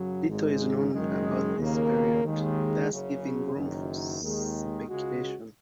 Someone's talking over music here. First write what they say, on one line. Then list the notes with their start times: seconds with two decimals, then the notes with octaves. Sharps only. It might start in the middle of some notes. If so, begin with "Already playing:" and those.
Little is known about this period, thus giving room for speculation.
Already playing: F#2 C#3 F#3
0.27 G#1 G#2 G#3
0.93 F#1 F#2 D#3 G#3
1.58 D#2 C#3 A#3
2.24 D#2 D#3 G#3
2.90 F#1 F#2 C#3
3.55 F#1 F#2 D#3
4.21 D#2 D#3 G#3
4.86 C#2 C#3 G#3 F#4